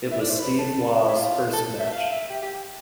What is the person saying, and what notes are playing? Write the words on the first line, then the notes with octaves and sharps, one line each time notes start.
It was Steve Waugh's first match.
E5
D5
C5
B4
A4
E4
F4
A4
E5
F5
E5
G4
G4